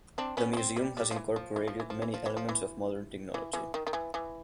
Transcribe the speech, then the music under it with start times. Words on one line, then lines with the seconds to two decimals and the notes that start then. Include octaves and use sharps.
The museum has incorporated many elements of modern technology.
0.18 C4 D4
0.37 B3 C#4
0.53 C#4
0.57 C4
0.76 G3
0.97 G3
1.11 F3
1.16 E3
1.36 F3
1.56 E3
1.68 F3
1.80 E3
1.90 F3
2.02 E3
2.14 F3
2.26 E3
2.37 F3
2.49 E3
3.34 E3
3.53 E3
3.74 D#3
3.87 D#3
3.93 E3
4.14 E3